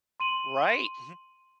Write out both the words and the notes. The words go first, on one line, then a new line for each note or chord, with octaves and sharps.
Right, mhm.
C6 D#7 F#7